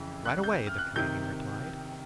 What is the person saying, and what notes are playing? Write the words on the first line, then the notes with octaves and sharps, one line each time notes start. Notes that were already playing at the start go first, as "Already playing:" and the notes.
"Right away!" the Canadian replied.
Already playing: F2 C#3 E3
F#6
G6
F6
F#6
C3 D#3 G6